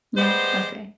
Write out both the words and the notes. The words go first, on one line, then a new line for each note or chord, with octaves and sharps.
No? Okay.
G3 G#3 B3 C5